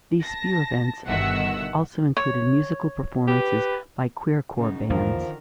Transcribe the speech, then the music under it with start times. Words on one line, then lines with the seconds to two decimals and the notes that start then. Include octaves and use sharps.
These Spew events also included musical performances by queercore bands.
0.22 A5 A#6
1.06 G1 B2 D#3 E5 F#5 E6
2.17 C#5
3.28 G4 B4
4.56 F#2 C#3 D#4
4.90 A#1 E2 D3 D#3 F3 A#3 A#4